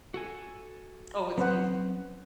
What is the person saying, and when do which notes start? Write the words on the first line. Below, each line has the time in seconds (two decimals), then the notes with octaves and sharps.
Oh, it's easy,
0.14 F#4 A4 G#5
1.38 F#3 C4 C#4 B4 C5 F#5